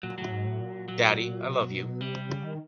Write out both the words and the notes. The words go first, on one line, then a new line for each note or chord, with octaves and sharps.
Daddy, I love you.
A#2 F#3
A2 F#3
G#2
A2
A#2
F#3
B2
C3 G3
C#3
D#3